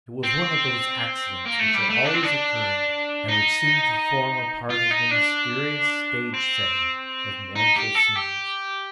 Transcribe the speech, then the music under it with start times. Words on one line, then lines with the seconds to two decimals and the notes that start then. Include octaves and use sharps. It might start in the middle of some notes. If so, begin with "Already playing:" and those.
It was one of those accidents which are always occurring, and which seem to form a part of the mysterious stage-setting of mournful scenes.
0.23 C4
1.45 A#3
1.60 A3
1.75 G3
1.90 A3
2.06 D4
2.15 C4
2.23 D4
3.28 D#4
4.70 F4
4.91 D#4
5.11 D4
6.34 C4
7.56 D#4
7.76 G4
7.95 A4
8.16 G4